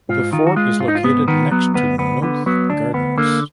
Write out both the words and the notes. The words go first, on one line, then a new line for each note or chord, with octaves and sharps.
The fort is located next to Nothe Gardens.
G#2 F4
D#3 F4
F#4
G#3 F4
G#2 F4
D#4
F4
G#2 B3
D#3 B3
F#3 B3
D2 B3
D2 B3
D3 B3
F#3 B3
D2 D4
D2 B3
D3 A#3